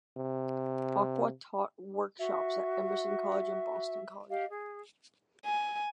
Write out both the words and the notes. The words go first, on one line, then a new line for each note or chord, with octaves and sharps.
Aqua taught workshops at Emerson College and Boston College.
C3
F#4 E5
G4 D#5 F5
G#4
G#5